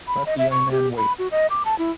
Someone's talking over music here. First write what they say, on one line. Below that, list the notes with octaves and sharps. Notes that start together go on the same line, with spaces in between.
Let the young man wait.
B5
D#5
E5
C#6
G4
B5
F#4
D#5
D6
A5
E4